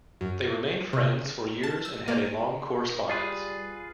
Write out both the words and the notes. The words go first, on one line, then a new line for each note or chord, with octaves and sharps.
They remained friends for years and had a long correspondence.
F#2
C3
A5
E6
A#3
G3 F4 G#4 B4